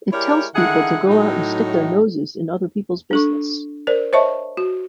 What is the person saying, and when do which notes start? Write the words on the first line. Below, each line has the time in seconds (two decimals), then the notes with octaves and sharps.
It tells people to go out and stick their noses in other people's business.
0.12 G#3 E4 G4 A#4 C#5 D5
0.55 D3 D#3 E4 G#4 F#5
1.07 A2 F#3 D#4
3.11 D4 A4 C#6
3.87 A#4 C5 D5
4.13 C5 C#5 D#5 E5 A5 C#6
4.57 F#4